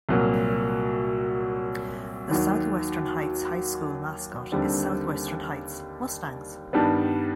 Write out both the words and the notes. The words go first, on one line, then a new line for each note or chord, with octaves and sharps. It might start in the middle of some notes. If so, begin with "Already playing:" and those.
The Southwestern Heights High School mascot is Southwestern Heights Mustangs.
C2 A#2 F#3 A#3
D#2 D#3 F#3
D#2 D3 G3 C4
G2 D#3 G3 B3 D4